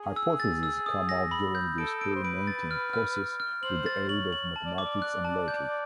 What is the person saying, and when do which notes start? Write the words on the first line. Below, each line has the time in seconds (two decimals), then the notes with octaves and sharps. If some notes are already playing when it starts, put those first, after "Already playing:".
Hypothesis come out during the experimenting process with the aid of mathematics and logic.
Already playing: G#4
0.16 E6
0.40 A6
0.63 E6
0.86 D#6
1.09 A#6
1.31 B5
1.55 G6
1.78 A4 D7
2.01 D7
2.15 C5
2.24 B4 D7
2.47 A6
2.71 F6
2.93 F6
3.17 F6
3.40 F6
3.63 C5 F#7
3.86 A6
4.09 C#5 F#7
4.32 F#7
4.56 A5
4.66 D5
4.75 C#5 D6
4.85 D5
5.02 F#6
5.25 A5
5.48 G6